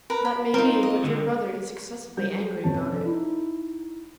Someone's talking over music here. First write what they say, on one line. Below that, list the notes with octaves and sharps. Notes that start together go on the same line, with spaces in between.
"That may be, but your brother is excessively angry about it."
A#4 B4 A#5
B5
C4 D#4 F4 A#4
D#5
D3 G#3
F#3 G3 G4 A#4 G6
F1 F2 C#5 A5
D4 A4
D#4 E4